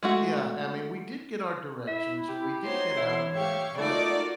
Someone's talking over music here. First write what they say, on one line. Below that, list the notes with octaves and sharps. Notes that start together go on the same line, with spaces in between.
yeah, I mean, we did get our directions and we did get out of there, but
G#3 A3 F#4
E4 E5
G4
D#4 F#4 C5 C#5 C6
D3 E3 E4
G4 E5 F5 C#6
A3 D#4 F4 F#4 A#4 D5